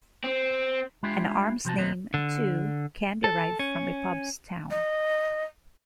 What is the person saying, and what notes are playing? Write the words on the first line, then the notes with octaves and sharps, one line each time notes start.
An "arms" name, too, can derive from a pub's town.
C4
G#3 D4 E4 F4 G4
C3 F3 F#4 A5
D#2 B2 F#3 A3 B3 C4
D3
A4
C#4
D#5